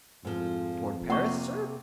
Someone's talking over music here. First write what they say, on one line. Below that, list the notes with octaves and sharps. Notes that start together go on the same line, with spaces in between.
"Toward Paris, sir?"
F2 G#2 F3
C3 A#3 F#5 C#6